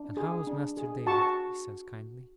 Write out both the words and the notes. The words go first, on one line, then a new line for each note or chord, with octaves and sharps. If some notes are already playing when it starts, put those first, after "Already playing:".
'And how is Master David?' he says, kindly.
Already playing: D4
G#4
D4
G#4
F#4 A5 C#6
A5 C#6